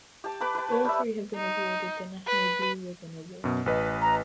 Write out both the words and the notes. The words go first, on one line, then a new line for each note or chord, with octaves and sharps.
All three have been awarded the National Blue Ribbon Award.
G4 A5
G4 B4 B5 D6
B4 A5
B4 C#5
G3 E5
D#4
B4
F#2 B2
A1 B4 D#5
A#5